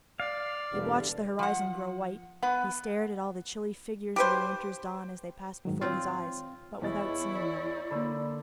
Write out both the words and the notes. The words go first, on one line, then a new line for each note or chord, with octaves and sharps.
He watched the horizon grow white; he stared at all the chilly figures of a winter's dawn as they passed before his eyes, but without seeing them.
D5 F5
E1 G2 D3 G3
F3 F#5
B3 B4 F#5
G4 B4 C5
G#2 D#3 F#3
C4 F4 C#5
E2 E4 C#5 D#5 A6
D5
D3 A#3 B5 E6